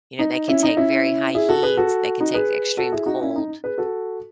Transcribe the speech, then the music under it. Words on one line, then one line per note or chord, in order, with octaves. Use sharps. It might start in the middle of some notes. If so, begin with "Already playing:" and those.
You know, they can take very high heat, they can take extreme cold.
D#4
C#4 E4
D#4
C#4 E4
E4 G#4
F#4 A4
G#4 B4
F#4 A4
D#4 F#4
G#4 B4
F#4 A4
E4 G#4
D#4 F#4
C#4 E4
D#4
G#4 B4
F#4 A4